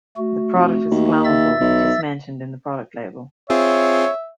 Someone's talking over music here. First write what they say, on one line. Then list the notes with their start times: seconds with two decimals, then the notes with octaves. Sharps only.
The product is flammable, which is mentioned in the product label.
0.17 A3 F#4
0.54 F1
0.91 D#2
1.25 E5 E6 A6
1.60 B1
3.50 C4 F4 G#4 C#5 E5